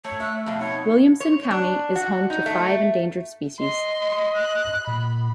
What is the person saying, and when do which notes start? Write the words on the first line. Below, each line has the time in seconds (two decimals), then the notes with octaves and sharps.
Williamson county is home to five endangered species.
0.04 A3 C#5
0.20 A3 E5 F#6
0.46 F2 B2 F5
0.60 D#4 C#5
1.20 C#5
1.51 D4
1.96 F#4
2.30 D#4
2.46 A3
3.60 D#5 C6
4.36 F#6
4.87 A#2 B5